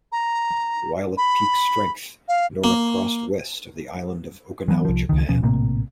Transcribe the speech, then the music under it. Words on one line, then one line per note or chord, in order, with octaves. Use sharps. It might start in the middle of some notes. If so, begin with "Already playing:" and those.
While at peak strength, Nora crossed west of the island of Okinawa, Japan.
A#5
B5
F5
A#3
E3 F#3 G#3 B3
C2 F3
C#2 D#3
D#1 B2 F3 C#4
A#1 A2 C3 A#3